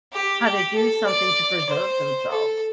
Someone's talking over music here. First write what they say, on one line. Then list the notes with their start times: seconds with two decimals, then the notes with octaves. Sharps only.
how to do something to preserve themselves.
0.13 G4
0.44 G4
0.75 A4
1.07 D5
1.69 C5
2.31 A4